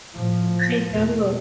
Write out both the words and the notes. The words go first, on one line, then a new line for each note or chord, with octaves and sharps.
I know.
A2 F3
E2 B2